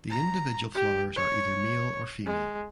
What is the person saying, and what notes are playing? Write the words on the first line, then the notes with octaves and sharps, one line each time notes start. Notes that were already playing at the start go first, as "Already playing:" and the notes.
The individual flowers are either male or female.
A#5
G4
C#5
G#3